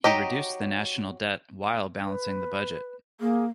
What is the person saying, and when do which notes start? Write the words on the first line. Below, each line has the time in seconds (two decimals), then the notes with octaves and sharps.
He reduced the national debt while balancing the budget.
0.04 F#3 D#4 G4 D#5
2.06 B4
3.21 A#3 G#4